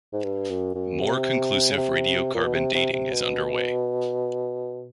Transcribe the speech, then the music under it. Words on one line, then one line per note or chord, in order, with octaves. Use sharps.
More conclusive radiocarbon dating is under way.
G#2
G2
F#2
F#2
C3
C#3
C3
A#2
B2
C3
C3
C3
B2